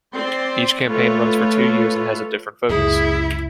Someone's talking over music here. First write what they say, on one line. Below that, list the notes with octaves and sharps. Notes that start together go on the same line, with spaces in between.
Each campaign runs for two years and has a different focus.
C4 D5 C6
A3 F4 A4 B4 C#5
C#2 F#2 F#3 E4 G#4